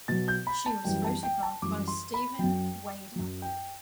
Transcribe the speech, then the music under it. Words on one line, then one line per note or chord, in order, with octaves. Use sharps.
She was photographed by Stephen Wayda.
B2 F#3 A6
G6
B5
A5
F#2 E3 G3 G5
A5
G5
A5
F#2 E3 G3 D6
C6
B5
F#2 F#3 G5
F#2 F#3
G5